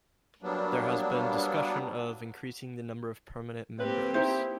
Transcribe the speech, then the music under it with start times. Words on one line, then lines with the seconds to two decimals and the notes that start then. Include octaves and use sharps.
There has been discussion of increasing the number of permanent members.
0.43 F#3 G3 A#3 B3 D4
3.80 A#3 C4 G4 B4
4.14 D#4 E4 C5